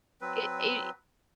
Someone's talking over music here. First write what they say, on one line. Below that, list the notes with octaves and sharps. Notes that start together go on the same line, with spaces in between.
It it
F#3 C4 B4